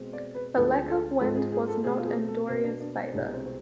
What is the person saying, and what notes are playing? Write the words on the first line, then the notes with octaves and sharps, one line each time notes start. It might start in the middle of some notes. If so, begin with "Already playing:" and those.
The lack of wind was not in Doria's favor.
Already playing: B2 G#3 C4
D5
B4
D2 D3 F3 G#3 A4
A4
G#2 F3 G#3 C4 A4
G#4
G#4
A4
B2 A3 C4 G#4
F4
G#4
A4
B2 B3 C4
D4
D4
C4
C2 B2 G#3 D4
C4
C4